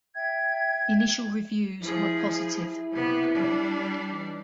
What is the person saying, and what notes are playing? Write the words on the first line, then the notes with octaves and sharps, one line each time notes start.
Initial reviews were positive.
E5 G5 G#6
F3 E4 G#4
C3 B3
G3 D4
E3 C#4 D#4